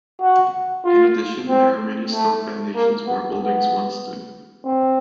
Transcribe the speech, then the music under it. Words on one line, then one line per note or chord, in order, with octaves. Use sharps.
In addition, there are many stone foundations where buildings once stood.
F#4
F4
C4
A3
A#3
B3
B3
C4